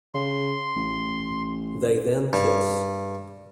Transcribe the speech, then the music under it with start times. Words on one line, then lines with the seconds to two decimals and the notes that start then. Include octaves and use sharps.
They then kiss.
0.14 C#3 C6
0.76 A1
2.33 G2